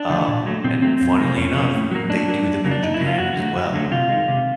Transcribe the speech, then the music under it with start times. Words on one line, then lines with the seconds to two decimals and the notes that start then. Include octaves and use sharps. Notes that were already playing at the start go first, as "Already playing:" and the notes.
um, and funnily enough, they do them in Japan, as well.
Already playing: D4
0.10 D3 F3 A3
0.28 A#2
0.46 F#3 A3
0.64 A#2 C4
0.82 F#3 A3 C4
1.01 F2
1.19 C3 F3 A#3
1.29 C4
1.37 F2 C#4
1.55 C3 F3 A#3
1.74 A2
1.91 F#3 A#3
2.10 A2 D4
2.28 F#3 A#3
2.46 F#2
2.64 C#3 F#3 A#3
2.71 D4
2.82 F#2 D#4
2.94 E4
3.00 C#3 F#3 A#3
3.06 F4
3.18 F#2 F#4
3.36 D3 F#3 A3
3.55 F#2
3.73 D3 F#3 A3
3.91 C3 F4
4.09 D#3 G#3
4.28 C3